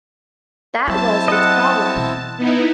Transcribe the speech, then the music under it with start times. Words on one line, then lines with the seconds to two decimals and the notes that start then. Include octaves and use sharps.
That was its problem.
0.88 F#3 C4 E4 A5
1.28 D#5 F#5
1.96 B2 E3
2.37 B3 D#4 E4